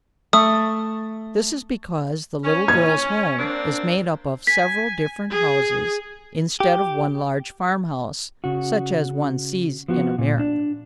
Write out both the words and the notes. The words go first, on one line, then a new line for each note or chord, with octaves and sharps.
This is because the little girl's home is made up of several different houses, instead of one large farmhouse, such as one sees in America.
A3 D#6
C#4
G#6
A#3 C4 D4
G#5 B6
G#4
G4
C#3 F#4
F3 B3 F#4
A#2
D4